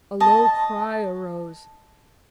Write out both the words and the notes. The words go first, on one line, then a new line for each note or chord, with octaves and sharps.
A low cry arose.
D#5 A5